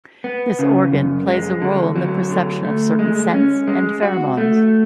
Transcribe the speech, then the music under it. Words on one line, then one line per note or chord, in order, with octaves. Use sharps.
This organ plays a role in the perception of certain scents and pheromones.
B3
C#3
F#2
G#3
D3
F#3
D3
A3
G#3
C#4
G#3
F#4
A3